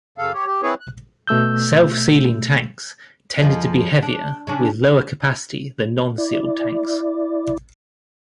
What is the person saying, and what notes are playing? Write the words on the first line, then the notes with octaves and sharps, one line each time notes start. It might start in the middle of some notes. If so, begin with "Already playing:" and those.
Self-sealing tanks tended to be heavier with lower capacity than non-sealed tanks.
F#2 C#3 A4 F5
G4 C#5
G4
C4 E4 G#4 B4 C#5
F#6
B2 A3 E6 G6
F2 F3 G#3
D4
C#3 C#4 D4
E4 D5